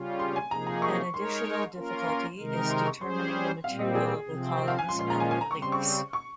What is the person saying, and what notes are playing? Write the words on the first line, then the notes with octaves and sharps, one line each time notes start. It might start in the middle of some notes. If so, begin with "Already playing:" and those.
An additional difficulty is determining the material of the columns and the reliefs.
Already playing: C#3 G3 C#4 F4
C6
G#5
C3 F3 A#3 D#4 G#4 A#5
A#5
C#6
G#3 D#4 A#4 C#5 C6
A#3 C#4 F4 A#4
C6
C3 D#3 G#3 D#4 A#4
C6
C#6
G3 C#4 G#4 C5 C6
A#2 G3 C4 F5
D#5
G#4
C3 F3 C4
G5
F5
G#5
A#2 F3 G#3 C#4 F4 C6
C6
A#5
G#5
G#5
A#5
C#3 G3 C4 C#6
C6
C#6
C#6